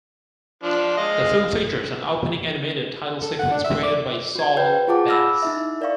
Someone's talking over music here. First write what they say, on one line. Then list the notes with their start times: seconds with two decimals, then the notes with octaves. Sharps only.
The film features an opening animated title sequence created by Saul Bass.
0.63 F3 D4
0.97 G#3 D#5 F5
3.22 A4
3.39 F#5
3.51 D4
3.64 E5
3.83 D5
4.35 F#4 G#6
4.57 B4 C5 G5 G6
4.88 F4 G#4 F#5 A5 D6
5.08 B5 D6 E6 F6 A#6
5.42 D#4 E4 E5
5.81 A#4 D5 E5 F5 C#6